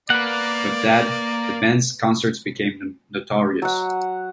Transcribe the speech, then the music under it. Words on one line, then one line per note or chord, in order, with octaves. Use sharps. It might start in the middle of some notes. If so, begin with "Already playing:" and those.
With Dead, the band's concerts became notorious.
A#3 B4 D5 F#5
F#3 F#5